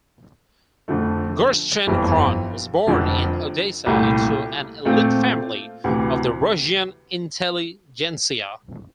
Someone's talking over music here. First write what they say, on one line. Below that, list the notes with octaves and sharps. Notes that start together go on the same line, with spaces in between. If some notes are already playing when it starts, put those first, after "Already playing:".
Gerschenkron was born in Odessa into an elite family of the Russian intelligentsia.
F2 D3 F3 A3
G1 F2 E3 G3
F1 F2 D3 F3
C2 A#2 A3 E4 G4
A#2 A3 C4 F4
D2 C3 E3